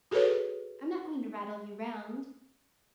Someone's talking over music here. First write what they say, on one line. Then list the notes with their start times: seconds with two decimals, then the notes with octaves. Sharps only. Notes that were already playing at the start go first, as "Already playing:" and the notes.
I'm not going to rattle you round.
0.11 F#4 G#4 A4 B4 C#5